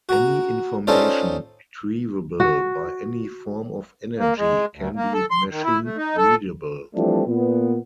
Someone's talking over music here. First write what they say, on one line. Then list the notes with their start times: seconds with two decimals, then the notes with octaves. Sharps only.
Any information retrievable by any form of energy can be machine-readable.
0.09 F#4 A#5
0.87 C#4 D#4 F4 A4 C5 D5
2.40 F#4
4.19 A#3
4.38 G#3
4.75 D2
4.96 A#3
5.14 A4
5.31 C6
5.51 D#3
5.64 E4
5.84 A3
5.97 D#4
6.17 A4
6.95 E3 F3 G3 A3 C4 D4
7.27 A#2 B3